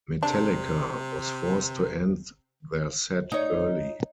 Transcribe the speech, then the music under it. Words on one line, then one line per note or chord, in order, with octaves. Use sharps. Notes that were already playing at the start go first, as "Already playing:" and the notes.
Metallica was forced to end their set early.
C3 D4
D#4 C#5